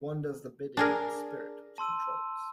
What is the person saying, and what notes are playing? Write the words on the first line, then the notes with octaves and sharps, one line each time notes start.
One does the bidding of the spirit which controls.
D4 G#4 A#4
A5 C6 E6 D#7